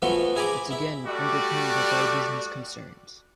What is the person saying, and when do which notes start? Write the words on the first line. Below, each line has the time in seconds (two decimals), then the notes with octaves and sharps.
It's again underpinned by business concerns.
0.02 E3 F3 A3 B3 F4 F#4
0.36 E4 G#4 G#5 A#5 B5 D6
0.71 E4 E5
1.05 G3 A3 F#4 D5